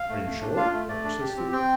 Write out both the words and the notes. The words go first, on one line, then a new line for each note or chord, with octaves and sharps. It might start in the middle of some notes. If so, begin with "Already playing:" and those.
"Are you sure?" I persisted.
Already playing: F5
A3
A3
D4
F4 F5
A3
A3 D5
D4
G4
C4
C4 G5